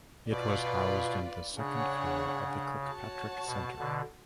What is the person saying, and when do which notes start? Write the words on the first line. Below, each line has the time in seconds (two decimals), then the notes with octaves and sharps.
It was housed in the second floor of the Kirkpatrick Center.
0.30 B2 F4 B4 D5
1.57 C#3 D4 G#4 C#5 F#5
2.84 F#4 C#5 F#5 A5
3.47 B2
3.79 B2 D3